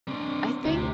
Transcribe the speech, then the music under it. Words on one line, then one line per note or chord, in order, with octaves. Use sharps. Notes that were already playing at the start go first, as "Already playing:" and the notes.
I think
C4 D4
D2 G4 E5